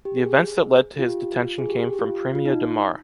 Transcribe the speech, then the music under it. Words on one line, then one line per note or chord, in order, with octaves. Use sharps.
The events that led to his detention came from Premià de Mar.
G4
G#4
F4
G4
F4
G#4
G4
G4
F4
F4
D#4